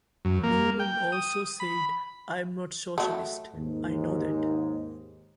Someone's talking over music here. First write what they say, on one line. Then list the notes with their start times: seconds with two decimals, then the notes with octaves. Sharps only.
Numan also said, I'm not socialist, I know that.
0.25 F#2
0.43 A#3
0.79 G5
1.12 D#6
1.60 B5
2.98 F#3 A3
3.53 D#2 G#2